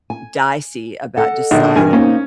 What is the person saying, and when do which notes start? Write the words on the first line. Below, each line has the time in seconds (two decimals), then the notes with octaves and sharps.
dicey about deciding
0.10 G#5
1.17 A4 D#5 F#5
1.51 A#1 D3
1.76 G2 E3 A#4 D#5 G#5
1.93 A#3 C#4 D#4 C5